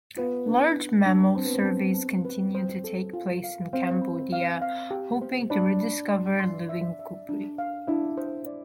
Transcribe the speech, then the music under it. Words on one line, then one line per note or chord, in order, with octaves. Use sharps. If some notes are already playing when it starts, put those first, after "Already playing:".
Large mammal surveys continue to take place in Cambodia, hoping to rediscover living kouprey.
B3 F4
D4
D4
D4
C4 A5
B3
C4
A5
A5
B4
C5
A4
F4
F5
C4 F5
B5
F5
F5
G4
C5
D4 B5
B5
C6
C6
E5
E5
D4
F5
D4 E4
C5
D5